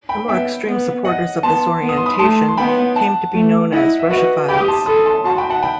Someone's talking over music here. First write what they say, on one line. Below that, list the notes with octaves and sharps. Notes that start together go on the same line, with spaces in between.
The more extreme supporters of this orientation came to be known as "Russophiles".
G5 B5
B3 E5 G5
B3
D#5 F#5
B3 A5 C6
B3
D#6
C6
B5 D#6
A3 A5 C6
C6
B3 G5 B5
F#5 A5
A3
E4 D#5 F#5
E5
F#4 B4 D#5
G4 G5 B5
D#6
A5 C6
A4 B5 D#6
A5 C6
F#4 A5 C6
G5 B5
F#5 A5
G5 B5